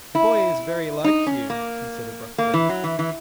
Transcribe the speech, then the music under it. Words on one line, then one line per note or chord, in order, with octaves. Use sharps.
"The boy is very like you," he said abruptly.
E4
D#4
C#4
A#3
A#3
E3
F#3
E3
E3